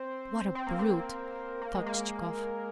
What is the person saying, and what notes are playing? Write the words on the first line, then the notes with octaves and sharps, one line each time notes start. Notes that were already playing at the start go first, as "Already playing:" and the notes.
"What a brute!" thought Chichikov.
Already playing: C4
C4
A#3
C4
A#3
G#3
A#3